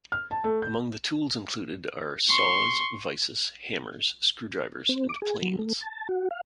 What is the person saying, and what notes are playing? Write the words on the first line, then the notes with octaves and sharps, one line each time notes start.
Among the tools included are: saws, vises, hammers, screwdrivers, and planes.
F6
A5
A3
G6
C6 C#6
C4
D6
G#4
F#3
A3
A5
F#4
F5